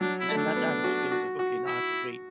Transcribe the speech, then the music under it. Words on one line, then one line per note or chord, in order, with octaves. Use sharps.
and then that that whole thing is like, okay, now I have to wait,
F#3 D4
E4
A3
D4
B3
F#4
F#4
F#4
E4